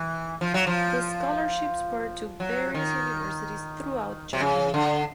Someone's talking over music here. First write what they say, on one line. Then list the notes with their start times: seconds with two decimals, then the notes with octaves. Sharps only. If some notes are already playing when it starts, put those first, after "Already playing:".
The scholarships were to various universities throughout Germany.
Already playing: E3
0.41 F3
0.54 F#3
0.67 F3
2.40 F#3
2.74 D#3
4.33 C3
4.40 C#3
4.74 D3